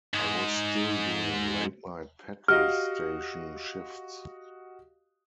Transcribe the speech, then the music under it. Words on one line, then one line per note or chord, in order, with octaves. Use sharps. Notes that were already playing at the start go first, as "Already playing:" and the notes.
I was still doing late night petrol station shifts.
G#2 G#3
F#4 G4 D#5 F5 F6